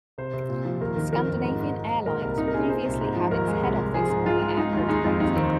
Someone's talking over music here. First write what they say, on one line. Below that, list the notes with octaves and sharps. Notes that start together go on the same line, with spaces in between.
Scandinavian Airlines previously had its head office on the airport property.
C3 C5
C3
A#2
F3
D#2 A#4
D#3 A#4
F3 A#4
F2
G#2
G#2
G#2
G#2
A#2 A#4
C2 A#4
C2 D#4
A#4
A#2 G#4
A#2 C5
C2
G#2
F3
D#2 A#4
G#3
C2
C2
F3 G#4
G#2
G#3 F4
G#3
G#3 D#4
D#2 F4
G#3 D#4
F2 F4
D#2 D#4
D#3 C4